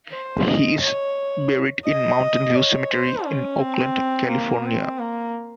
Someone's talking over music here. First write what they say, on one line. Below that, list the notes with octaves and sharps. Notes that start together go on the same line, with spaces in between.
He is buried in Mountain View Cemetery in Oakland, California.
C5
D#5
C#5
D#5
C#5
C5
C#4
C4
A#3
C4
A#3